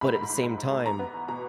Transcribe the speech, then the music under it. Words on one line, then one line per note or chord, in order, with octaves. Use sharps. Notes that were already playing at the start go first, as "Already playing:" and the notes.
but at the same time,
G#2 B5
G#2
G#2
G#2
G#2
A3
E2 A#5
B3
E2
B2 A#5